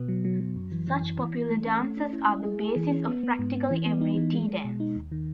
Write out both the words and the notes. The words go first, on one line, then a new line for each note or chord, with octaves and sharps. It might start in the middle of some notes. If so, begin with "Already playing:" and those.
Such popular dances are the basis of practically every 'Tea Dance'.
Already playing: B2 B3
F#3
F#3
F#3
F#2
E3
E3
F#2
E3
E3
A3
C#4
A3
C#4
E4
E4
G#4
G#4
E3
C#4
B3
B3
G#2
B3
E3
B3
D#4
E3
G#3
G#3
B2
D#4
D#2
D#3